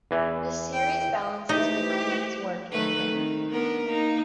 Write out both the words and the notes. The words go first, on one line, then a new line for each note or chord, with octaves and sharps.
The series balances McLean's work and family.
E2 E3
G5
E3 A3 D#4 G4 B4 C5
D#3 A3 B4
D#3 C4
B3 D4 A#4
A#3 D#4